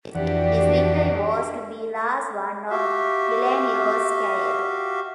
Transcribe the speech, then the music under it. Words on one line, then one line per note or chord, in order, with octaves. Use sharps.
This victory was to be the last one of Villeneuve's career.
F2 E3 D4 F#4 G4 D5 F#5
F#4 G4 E5 F5